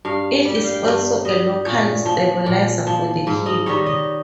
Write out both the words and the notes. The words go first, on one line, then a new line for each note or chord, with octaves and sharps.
It is also a local stabilizer for the hip.
G2 F5
G3
G5
F5
G5
G2
G3 D#5
A#2 C#5
F3
A#2
F3
G#2
D#5
D#3 G3 C#5
D#5